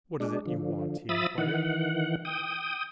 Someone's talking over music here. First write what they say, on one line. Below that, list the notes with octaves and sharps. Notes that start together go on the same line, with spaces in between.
"What is it you want?" he inquired.
G#3 D4
D3 F3
F3 E5 B5 D#6 A6
D#3 E3 F#5
G5 D#6